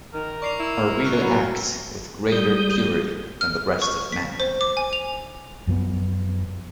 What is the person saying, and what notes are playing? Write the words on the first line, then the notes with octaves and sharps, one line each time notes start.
Are we to act with greater purity than the rest of mankind?
D#3 A#4
D5 C#6 C7 F7
E4 E6 C7
C#6 F6 F#6
F#3 E4
G3 D#6 G6
F6
C#6
B6
C5
D6
G#5
F7
F#2 F3 B3